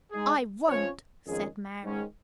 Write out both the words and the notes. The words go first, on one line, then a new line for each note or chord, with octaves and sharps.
"I won't!" said Mary.
G#3 D#4 G#4
F2 F3 C#4 F4 C#5
F2 D#3 G#3 C#4 G#4
G#2 D#3 G#3 C#4